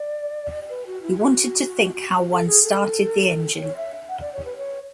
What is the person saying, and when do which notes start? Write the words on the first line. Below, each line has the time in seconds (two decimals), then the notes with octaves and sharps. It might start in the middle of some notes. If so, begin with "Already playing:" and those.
He wanted to think how one started the engine.
Already playing: D5
0.69 B4
0.86 F#4
1.02 E4
1.18 G#4
1.21 F#4
2.15 F#4
2.32 A4
2.47 G#4
2.63 A4
3.61 C#5
3.77 E5
4.09 F#5
4.21 D5
4.33 C#5
4.45 B4
4.58 C#5